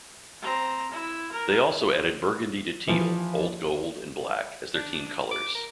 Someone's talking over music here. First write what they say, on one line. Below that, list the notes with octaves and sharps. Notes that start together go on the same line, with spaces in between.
They also added burgundy to teal, old gold and black as their team colours.
C4 A#5
E4
A#4
E3 F3
D4
D6
A#4